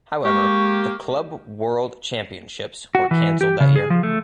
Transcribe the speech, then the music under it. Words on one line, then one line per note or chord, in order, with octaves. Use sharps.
However, the Club World Championships were cancelled that year.
G#3 A#3 G4 C#6
F#4
E3
G4
C#3
G#4
F3
A3